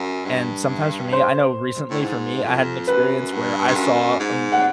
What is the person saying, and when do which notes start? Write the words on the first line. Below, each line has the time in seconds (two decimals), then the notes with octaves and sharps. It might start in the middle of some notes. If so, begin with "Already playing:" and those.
and sometimes for me I know recently for me, I had an experience where I saw a
Already playing: F#2
0.25 G2
1.13 C5
1.90 A2
2.01 G#2
2.44 F2
2.87 F#2 B4
3.32 G2
3.68 G2
3.75 F#2
4.20 G#2
4.52 F#5